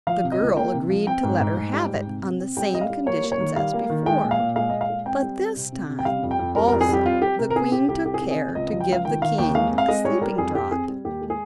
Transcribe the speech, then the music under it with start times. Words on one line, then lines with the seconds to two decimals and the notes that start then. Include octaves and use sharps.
The girl agreed to let her have it on the same conditions as before; but this time, also, the queen took care to give the king a sleeping draught.
0.07 F3 F5
0.24 C3
0.32 D#5
0.40 C#2
0.57 A#3 G5
0.73 C3
0.90 F3
1.07 C4 G5
1.23 G#2
1.40 G#2
1.57 G#2
1.74 G3
1.90 G#2
2.06 C3
2.23 C4
2.40 C4
2.57 G3 G5
2.74 G3 D#5
2.81 F5
2.90 G3
3.06 A#3 C#5
3.23 A#3
3.32 C#5
3.40 D#3
3.56 G3 F5
3.73 A#3
3.90 D#3
4.06 G#3 G5
4.23 A#2
4.31 F5
4.40 A#2
4.56 G#3 F5
4.69 A#2 D#5
4.81 F5
4.90 G#3
5.06 C4 G5
5.23 G3
5.39 C4
5.56 C3
5.72 C3
5.89 C3
5.99 G5
6.05 G3 F5
6.23 F2
6.31 G5
6.39 F2
6.56 G3 A#4
6.68 A#4
6.72 F2
6.81 G#4
6.89 G3 G4
7.06 C4 F4
7.22 C4 G4
7.39 C3 A#4
7.50 A#4
7.55 C4 G#4
7.72 C3 G4
7.88 C2 G4
8.05 C4 G4
8.14 G#4
8.22 C3 G4
8.31 G#4
8.39 C4
8.55 C#2 D#5
8.68 D#5
8.72 F3
8.81 G5
8.88 C#2 F5
9.05 D#3 G5
9.22 D#3 F5
9.38 D#2 G5
9.55 G#3 F5
9.72 C4
9.78 F5
9.88 G#3 D#5
10.05 G3 C#5
10.22 G3 A#4
10.38 F2 G#4
10.55 F2 G4
10.71 C4 G#4
10.88 G3
11.05 D#2 G4
11.22 G#3
11.30 G#4